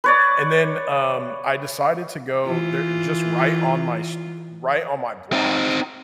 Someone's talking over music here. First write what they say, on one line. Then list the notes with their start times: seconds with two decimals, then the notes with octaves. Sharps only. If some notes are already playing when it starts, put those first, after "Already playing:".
and then, um, I decided to go there just right on my s right on my block,
0.04 B4 C#5 D5
2.45 E3 F4
5.33 C4 D#4